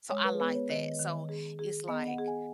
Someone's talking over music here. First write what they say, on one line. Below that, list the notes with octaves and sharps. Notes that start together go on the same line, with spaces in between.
so I like that. So it's like
G#3 C#5
B4
G#4
B3 B4
C#5
D#3 D#5
D#3
G#4
G#4
B3 D#5
F#5
G#4
G#5